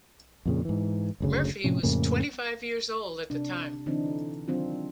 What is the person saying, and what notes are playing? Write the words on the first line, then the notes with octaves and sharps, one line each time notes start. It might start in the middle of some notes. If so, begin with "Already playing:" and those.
Murphy was twenty-five years old at the time.
F2 A#2 C#3
G#2 E3
F#1 D2 C#3
A2 C3 F3 C#4
F2 A2 C#3 A#3
C3 D4
D3 E3 C4 D4 D#4
D#3 F#3 C4 D4 F4